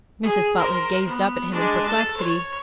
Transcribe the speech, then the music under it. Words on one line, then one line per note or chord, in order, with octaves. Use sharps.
Mrs. Butler gazed up at him in perplexity.
G#4
A#4 C5
B3
G#3 D4
A4 A5
C#5